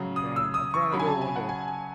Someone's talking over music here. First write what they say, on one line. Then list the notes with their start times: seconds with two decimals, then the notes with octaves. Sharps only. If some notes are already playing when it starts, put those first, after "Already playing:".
I'm trying I'm trying to go one day.
Already playing: C#3 F#3
0.16 D#6
0.36 E6
0.54 D#6
0.74 C#6
0.92 C#3 F#3 B5
0.99 G#5
1.07 A5
1.22 G#5
1.36 F#5
1.49 G#5
1.68 G#5